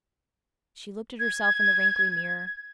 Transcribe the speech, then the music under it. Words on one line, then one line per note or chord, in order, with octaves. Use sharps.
She looked at herself in the wrinkly mirror.
G#6